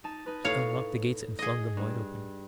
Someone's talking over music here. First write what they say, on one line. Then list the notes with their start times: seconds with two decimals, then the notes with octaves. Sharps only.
He unlocked the gates and flung them wide open.
0.04 D#4 A5
0.26 D#4 B4
0.44 A2 C#5 F5
1.39 G#4 D#5
1.77 G2